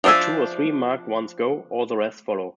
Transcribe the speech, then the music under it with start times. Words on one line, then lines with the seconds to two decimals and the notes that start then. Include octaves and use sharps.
Where two or three marked ones go, all the rest follow.
0.04 F3 D4 C5 E5 G#5